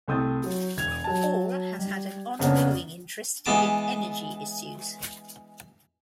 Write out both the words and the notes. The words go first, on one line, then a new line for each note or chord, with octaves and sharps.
Hall has had an ongoing interest in energy issues.
C2 A3 C4 D#6 G6 A6
F#3
E1 G#6 F7
F#3 A5
G3
F2 C#3 A#3 B3 C#4 D4
E3 G#3 B3 A5 D6